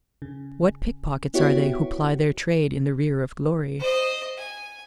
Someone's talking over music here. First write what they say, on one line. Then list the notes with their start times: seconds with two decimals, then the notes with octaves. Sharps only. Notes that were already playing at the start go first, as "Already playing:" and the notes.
What pickpockets are they who ply their trade in the rear of glory?
0.22 C#3
1.34 B3 E4 F#4 G4 C#5
3.79 C5 D#5
4.37 G#5